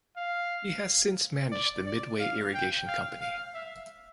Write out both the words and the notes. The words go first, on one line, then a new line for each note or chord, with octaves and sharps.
He has since managed the Midway Irrigation Company.
F5
D5
D5
F5
G5
F5
F5
E5